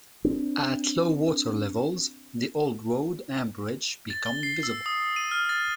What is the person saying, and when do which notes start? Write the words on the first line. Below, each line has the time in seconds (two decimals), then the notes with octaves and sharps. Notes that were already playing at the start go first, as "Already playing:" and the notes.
At low water levels, the old road and bridge become visible.
0.24 C4 D4
4.10 A6
4.26 G7
4.43 C7
4.63 E6
4.86 D#6
5.16 D#7
5.31 F6
5.49 A6